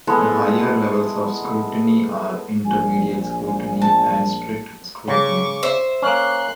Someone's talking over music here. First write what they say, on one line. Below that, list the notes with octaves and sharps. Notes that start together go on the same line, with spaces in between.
The higher levels of scrutiny are intermediate scrutiny and strict scrutiny.
G#3 B3 E4 A4
A#1 G#5
A5
C#3 C#6 D6
C5 E5
A#3 C#4 C6 F#6